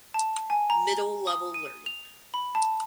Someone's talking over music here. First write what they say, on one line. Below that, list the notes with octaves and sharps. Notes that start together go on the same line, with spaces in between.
Middle Level Learning.
A5
G#5
A#5
D#6
D#7
F7
B5
A5